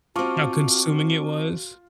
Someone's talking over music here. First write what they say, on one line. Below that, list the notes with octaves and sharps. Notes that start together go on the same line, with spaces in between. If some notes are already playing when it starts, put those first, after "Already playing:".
How consuming it was?
C4 F4 F#4 D#5 A5 C#6 D6